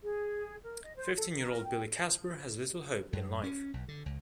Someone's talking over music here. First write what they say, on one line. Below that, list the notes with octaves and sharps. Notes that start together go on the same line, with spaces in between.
Fifteen-year-old Billy Casper has little hope in life.
G#4
A#4
D#5
C5
A4
A#4
G5
F#2
C#4
B1
D3
C#2